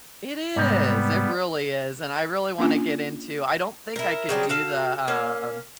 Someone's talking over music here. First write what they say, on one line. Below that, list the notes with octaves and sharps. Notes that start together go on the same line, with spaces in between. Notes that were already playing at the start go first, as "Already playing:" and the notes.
It is. It really is, and I really wanna get into I don't think I could do the, um,
G#2 C3 G3 B3
A#3 C#4 D4 F4 G#5
E4 A#4
C#3 F#3 G3 C4
F#4 A4 F5
A#3 C#4 F5